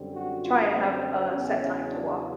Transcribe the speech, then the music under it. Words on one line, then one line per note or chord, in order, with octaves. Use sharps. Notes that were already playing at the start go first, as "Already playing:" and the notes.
try and have a set time to walk.
Already playing: F#2 D3 G3 C4
F#4
F4
C4
E2 C#3 F#3 B3 C#4
C#4
D4